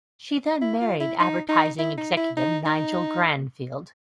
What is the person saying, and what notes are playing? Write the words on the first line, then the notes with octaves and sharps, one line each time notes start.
She then married advertising executive Nigel Grandfield.
E4
F4
E4
D#4
D#4
E4
D#4
E4
D#4
D#4